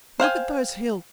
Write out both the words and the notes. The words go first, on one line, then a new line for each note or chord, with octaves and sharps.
Look at those hills!
C5 F5 G5 G#5